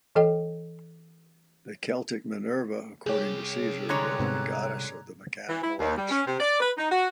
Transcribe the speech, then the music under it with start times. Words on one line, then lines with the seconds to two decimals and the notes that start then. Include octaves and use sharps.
The Celtic Minerva, according to Caesar, was a goddess of the mechanical arts.
0.16 E3 A4 D#5 G5
3.06 C2 G4 G#4 C#5
3.89 D3 G#3 C#5 A#5 F#6 G#6
4.19 G#2 C3 B3
5.48 E3
5.63 E4
5.79 D#2
5.97 G3
6.10 C#4
6.26 C3
6.40 D5
6.60 B4
6.78 D#4
6.90 F#4